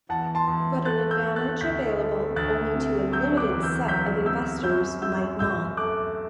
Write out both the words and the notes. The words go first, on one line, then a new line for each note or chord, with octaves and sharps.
But an advantage available only to a limited set of investors might not.
E2 F#5 A5
A5 C6
E2
A3 F#6 A6
E6 G6
A3
F#6 A6
D2 G6 B6
A3
D2 F#6 A6
C3
F#3 E6 G6
D6 F#6
E2
E6 G6
F#3 G6 B6
C3 E6 G6
F#2 E6 G6
F#2 E6 G6
F#2 E6 G6
A3 D6 F#6